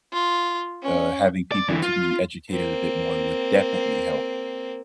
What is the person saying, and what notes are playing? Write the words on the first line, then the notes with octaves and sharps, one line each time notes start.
uh, having people to be educated a bit more would definitely help.
F4
C#4
D5
D3 E3
F4
A#3 C4